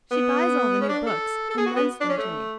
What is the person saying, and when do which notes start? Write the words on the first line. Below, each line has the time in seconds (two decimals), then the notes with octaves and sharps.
She buys all the new books and lends them to me.
0.11 B3
0.81 C#4
0.89 D4
1.06 A4
1.50 A4
1.58 G#4
1.66 F#4
1.76 B3
2.01 D4
2.09 C#4
2.18 A3